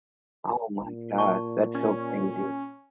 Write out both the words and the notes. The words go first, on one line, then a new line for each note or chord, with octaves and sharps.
Oh my god. That's so crazy.
A#2
D5 A5 C#6
C#4